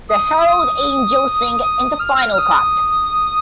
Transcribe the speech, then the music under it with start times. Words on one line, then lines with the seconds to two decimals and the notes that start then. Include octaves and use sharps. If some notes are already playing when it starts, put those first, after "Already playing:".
The Herald Angels Sing in the final cut.
0.09 D#6
0.47 D#6
1.61 D#6
2.00 F6
2.33 F6
2.38 D#6